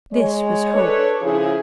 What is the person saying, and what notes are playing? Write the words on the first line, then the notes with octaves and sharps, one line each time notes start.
This was Hope.
G#3 C#5
D4 A4 B4 C#5
C#3 F3 E4 G#4